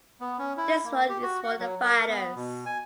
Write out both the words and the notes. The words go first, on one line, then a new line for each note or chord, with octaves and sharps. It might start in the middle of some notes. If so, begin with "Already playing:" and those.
This one is for the fighters.
B3
C#4
E4
A#3
G4
F#4
F#5
F#3
A#4
B3
B2
G#5